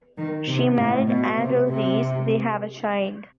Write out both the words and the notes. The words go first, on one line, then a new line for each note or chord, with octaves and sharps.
She married Andrew Rees; they have a child.
D#3
C3
A2
B2
C3
C3